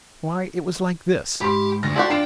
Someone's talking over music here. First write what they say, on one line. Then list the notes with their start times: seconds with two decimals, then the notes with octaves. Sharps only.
Why, it was like this.
1.41 G#2 G4 B5 C6
1.83 D2 A#6
1.96 F#4 G4 A4 D5 C6
2.10 D4 F4 G5 C7 E7